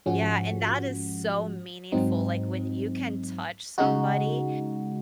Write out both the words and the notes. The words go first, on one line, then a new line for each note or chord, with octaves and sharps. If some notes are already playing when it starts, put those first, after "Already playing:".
Yeah, and that is so meaningful, like, when you can touch somebody,
G#2 F3 G#3 C#4 F#4
G#2 F#3 C4 D#4
C#3 G#3 D#4 F#4